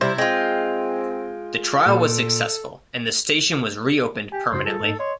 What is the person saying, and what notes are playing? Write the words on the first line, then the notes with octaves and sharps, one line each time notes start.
The trial was successful, and the station was reopened permanently.
C3 G3 E4 C5
G#3 C4 F4 G5
A#2 A4
G4 G#5
F#2 C#3 F#4 C5
G3 F4 G#4 A4
G#2 D#4
C#5 D#5 C6